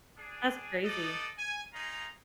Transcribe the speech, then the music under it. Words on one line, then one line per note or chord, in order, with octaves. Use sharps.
That's crazy.
D4 G#4
D#4 A4 B4 D5 D#5
G#5
C#4 D#4 F4 G#4 F5 A#5